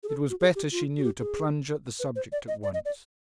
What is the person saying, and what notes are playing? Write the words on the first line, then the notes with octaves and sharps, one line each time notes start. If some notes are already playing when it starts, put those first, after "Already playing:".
It was better, she knew, to plunge at the subject at once.
G#4
A4
F#4
G#4
G4
F4
F#4
G4
G#4
B4
C5
D5
D#5
D5
D#5
D5